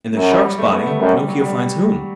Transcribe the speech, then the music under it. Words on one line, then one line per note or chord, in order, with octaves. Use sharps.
In the Shark's body Pinocchio finds whom?
F#2 F#3
G3
G3
A3
B3
A3
F#2 G3
G3
F#3
G3